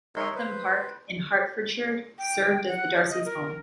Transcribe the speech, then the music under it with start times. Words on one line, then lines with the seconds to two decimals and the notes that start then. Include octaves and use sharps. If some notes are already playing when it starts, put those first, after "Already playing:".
Wrotham Park in Hertfordshire served as the Darcys' home.
0.16 D#4 A#4 C#5 E5 C6
0.35 B4 C5
2.18 G5
2.68 F#5
2.96 F6
3.09 D#5
3.25 A#4